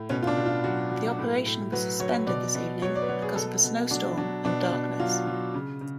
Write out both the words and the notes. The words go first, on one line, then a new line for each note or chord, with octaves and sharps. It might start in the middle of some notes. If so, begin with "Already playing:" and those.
The operation was suspended this evening because of a snowstorm and darkness.
Already playing: A2
B2 C#4
F4
D4
B2
F4
F#3 F#4
F#3
A2
A2
F#3 B4
F#3 C#5
B2 D5
B2
F#3 C#5
D5
B4
F#3 C#5
G#4
B2 A4
B2
F#3 D4
F#3 D4
B2 D4
B2
F#3 F4
F#3
C#3
C#3